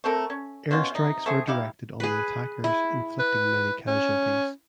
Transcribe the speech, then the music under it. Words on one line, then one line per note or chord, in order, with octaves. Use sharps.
Air strikes were directed on the attackers inflicting many casualties.
A3 C4 A4 A#4
C#4
B2 C#4 F4 C6
C3 D#4
A3 C4 G#4
D#4 E4 G4 F5
G#4 B4
E4
B4
C#4